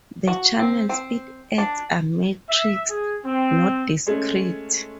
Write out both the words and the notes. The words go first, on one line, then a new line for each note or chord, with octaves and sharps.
The channels it adds are matrixed, not discrete.
F#4
C4
C4
D4
E5
G#4
C4
G#3 A3 C#4